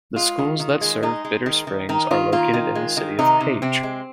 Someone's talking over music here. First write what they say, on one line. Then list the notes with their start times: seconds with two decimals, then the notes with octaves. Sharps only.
The schools that serve Bitter Springs are located in the city of Page.
0.16 G#3 F4
0.39 D#3
0.60 D#3
0.81 G#3
1.03 G#3 D#4
1.25 G#3
1.46 D#3
1.67 D#3
1.89 D#3 D#4
2.11 D#3 F4
2.32 A#3 F4
2.53 D#3
2.75 G#3
2.97 D#3
3.19 C3 D#4
3.41 C3
3.62 C3 C4
3.83 G#3